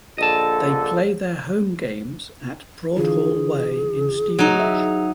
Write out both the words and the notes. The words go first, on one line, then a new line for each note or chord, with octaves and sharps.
They play their home games at Broadhall Way in Stevenage.
A#1 D3 A4 D#5 A5
D3 E3 F4 G#4
F#3 D#4
E5